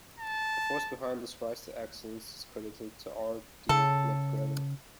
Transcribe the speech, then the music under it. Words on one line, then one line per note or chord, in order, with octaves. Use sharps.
The force behind this rise to excellence is credited to R. D. McGregor.
A5
C#3 A4